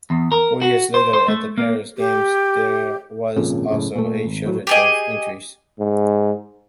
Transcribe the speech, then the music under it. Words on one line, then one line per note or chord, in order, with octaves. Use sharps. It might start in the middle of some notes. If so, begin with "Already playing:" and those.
Four years later, at the Paris Games, there was also a shortage of entries.
E2
A#4
F#4
C5
C5
A3
A#3
G4
G#1 F2 A#2 C#3
F#1 A2 C#3
A#2 A3
G#1
A2 F#3
G4 G#4 D#5
G#2